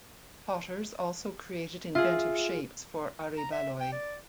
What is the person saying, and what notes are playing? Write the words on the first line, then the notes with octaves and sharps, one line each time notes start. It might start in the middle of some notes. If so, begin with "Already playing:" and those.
Potters also created inventive shapes for aryballoi.
F4 G#4 E5
A#5
E5
G5
D5